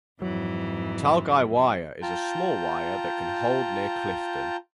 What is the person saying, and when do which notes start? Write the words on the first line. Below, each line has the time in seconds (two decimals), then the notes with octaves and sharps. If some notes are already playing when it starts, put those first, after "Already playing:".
Talgai Weir is a small weir that can hold near Clifton.
0.22 F2 G#2 E3 F#3
2.02 F4 G5 A5 A#5 G6